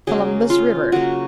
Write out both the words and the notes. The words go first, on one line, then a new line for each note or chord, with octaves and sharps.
Columbus River.
C#3 F#3 A#3 G#4
F4
C#3 F#3 A#3 F#4